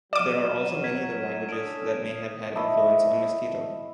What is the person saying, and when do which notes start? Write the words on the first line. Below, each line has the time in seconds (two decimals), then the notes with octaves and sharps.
There are also many other languages that may have had influence on Miskito.
0.13 F#3 D5 D6 F6 D#7 E7
0.84 G#6 B6
1.49 C#4 D4 A4 D#6 D7
2.55 E4 D#5 A5 C#6